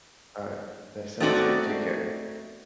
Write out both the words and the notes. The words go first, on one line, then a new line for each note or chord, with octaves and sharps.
Alright. That sounds good. Take care.
A3 B3 C4 D#4 F#4 D5